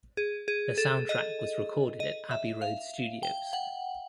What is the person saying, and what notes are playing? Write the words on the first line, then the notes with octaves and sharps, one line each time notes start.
The soundtrack was recorded at Abbey Road Studios.
G#4
G#4
A4
D#5
D#5
E5
F5
G5
F#5